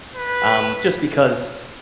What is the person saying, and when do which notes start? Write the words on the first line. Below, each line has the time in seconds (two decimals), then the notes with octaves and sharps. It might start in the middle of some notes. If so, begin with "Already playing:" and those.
um, just because
0.16 B4